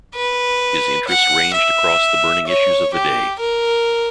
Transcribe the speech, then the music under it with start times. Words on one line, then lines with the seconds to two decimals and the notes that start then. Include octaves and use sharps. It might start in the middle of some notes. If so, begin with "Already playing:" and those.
His interests ranged across the burning issues of the day.
0.15 B4
1.08 F#5
1.55 E5
2.47 C#5
2.94 G4
3.40 A#4